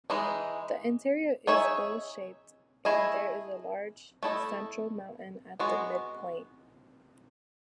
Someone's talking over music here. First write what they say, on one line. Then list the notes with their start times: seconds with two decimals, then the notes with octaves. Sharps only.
The interior is bowl-shaped, and there is a large central mountain at the midpoint.
0.10 E3 G#3 D#4
1.47 D#4 G#4 C#5 E5
2.85 A3 E4 G#4 D#5
4.23 A3 E4 A4 D#5
5.59 G#3 B3 F#4